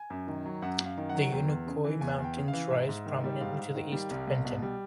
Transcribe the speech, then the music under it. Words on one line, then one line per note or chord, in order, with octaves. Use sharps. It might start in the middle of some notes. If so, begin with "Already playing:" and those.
The Unicoi Mountains rise prominently to the east of Benton.
Already playing: G#5
F#2
D#3
F#3
F#2 F#5
F#2 F5
D#3
F#5
F#3
E2 G5
E2
C#3
E3
E2 G#5
E2
G5
C#3
F5
E3
G#2 E5
G#2
D#3
G3
G#2 F5
G#2
D#3
G3
C2
C2
B2
G3